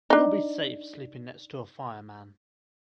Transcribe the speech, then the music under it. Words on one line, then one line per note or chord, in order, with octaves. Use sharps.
You’ll be safe sleeping next to a fire man.
D4 D#4